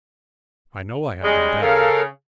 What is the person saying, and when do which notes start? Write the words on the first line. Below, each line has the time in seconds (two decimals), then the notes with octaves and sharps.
I know I have been bad.
1.22 C#3 G3 G#3
1.61 C#3 A4 A#4 F5